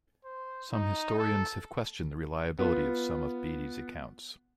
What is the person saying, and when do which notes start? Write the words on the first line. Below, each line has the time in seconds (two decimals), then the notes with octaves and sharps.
Some historians have questioned the reliability of some of Bede's accounts.
0.25 C5
0.72 D#4
1.18 A4
2.59 B3 F4